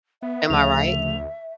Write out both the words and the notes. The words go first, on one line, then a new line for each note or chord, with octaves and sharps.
Am I right?
B3 E5
D2 C#3 F3 A3 F7